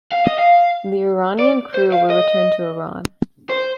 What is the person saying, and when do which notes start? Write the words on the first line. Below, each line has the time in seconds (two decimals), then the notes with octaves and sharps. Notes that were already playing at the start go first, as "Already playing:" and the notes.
The Iranian crew were returned to Iran.
0.12 F5
0.26 D#5
0.39 F5
1.39 D5
1.74 C5
1.92 F5
2.10 D#5
3.50 C5